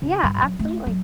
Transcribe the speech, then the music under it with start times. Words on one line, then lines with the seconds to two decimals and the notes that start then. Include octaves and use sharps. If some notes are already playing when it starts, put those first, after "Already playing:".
Yeah, absolutely.
0.02 C#3
0.23 G2
0.43 F#3
0.59 A3
0.86 F#3